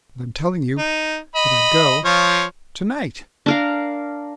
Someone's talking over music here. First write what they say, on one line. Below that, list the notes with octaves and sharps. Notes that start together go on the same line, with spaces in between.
"But I'm telling you that I go tonight."
D#4
D#5 B5
F3 F4 C#5
D4 A#4 F5